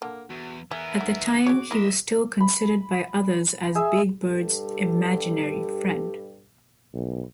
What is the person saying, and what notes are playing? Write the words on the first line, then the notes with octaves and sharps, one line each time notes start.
At the time he was still considered by others as Big Bird's "imaginary" friend.
D3 A#3
E2 F#4
E3 B3 G#4 A#4 E5
D3
F#4 G#4 C#5 D6
G#3 E4 A#4 D#5 E5
B5
G#4 E5 G#5
G2 G3 G4 A4
B1